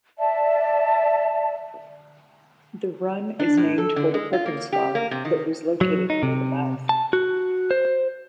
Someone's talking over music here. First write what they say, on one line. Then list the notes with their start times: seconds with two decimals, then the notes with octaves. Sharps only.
The run is named for the Perkins Farm that was located near the mouth.
0.18 D5 E5 A5
3.40 D4
3.57 A2
3.78 A4
3.96 D3
4.14 G#3
4.33 F4
4.46 A#3
4.73 G4
4.95 A#3
5.11 C3
5.25 D#3
5.81 F#3
6.10 D#4
6.23 C3
6.89 A5
7.13 F#4
7.71 C5